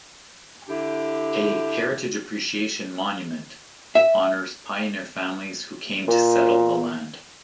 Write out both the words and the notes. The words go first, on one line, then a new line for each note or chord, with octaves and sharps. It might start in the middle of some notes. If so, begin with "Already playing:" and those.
A "Heritage Appreciation Monument" honors pioneer families who came to settle the land.
D3 D4 E4 G4
E5
A#2